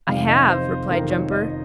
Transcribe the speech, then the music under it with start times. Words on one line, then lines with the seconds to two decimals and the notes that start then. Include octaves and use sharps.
"I have," replied Jumper.
0.07 F1 F2 C3 D#3 F5
0.29 D#5
0.49 C5
0.90 F1 F2 C3 D#3 A#4
1.11 C#5
1.32 D#5